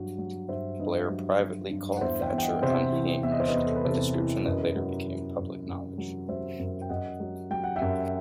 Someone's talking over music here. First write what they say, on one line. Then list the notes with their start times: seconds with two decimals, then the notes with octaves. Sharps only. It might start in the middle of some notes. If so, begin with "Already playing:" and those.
Blair privately called Thatcher "unhinged", a description that later became public knowledge.
Already playing: G2 F#3 F#4
0.18 F#3
0.49 G2 C5 E5
0.79 G2 B4 D#5
1.10 F#3
1.40 F#3
1.71 G2
1.97 F#5
2.01 E2 C5 E5
2.22 E5 G5
2.32 E2
2.38 G5
2.42 D#5 F#5
2.62 C3 C5 E5
2.92 E3
3.23 E2 E5
3.32 D#5
3.40 C5
3.48 B4 D#5
3.54 E2
3.66 A4
3.76 B4
3.84 C3 A4 C5
4.15 E3
4.45 F#2 B4 D#5
4.75 F#3
5.07 F#3
5.37 F#2
5.67 F#2
5.98 F#3
6.28 F#3 C5 E5
6.59 F#2
6.81 G5
6.89 F#2 D#5 F#5
7.20 F#3
7.50 F#3 G5
7.64 F#5
7.76 E5 G5
7.81 F#2